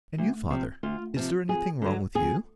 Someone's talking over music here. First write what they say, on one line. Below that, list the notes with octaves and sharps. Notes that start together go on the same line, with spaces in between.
"And you, father--is there anything wrong with you?"
D2
C3 F3
D2 F4
C3 F3
F2 G#4
D3 F#3
F2 G#4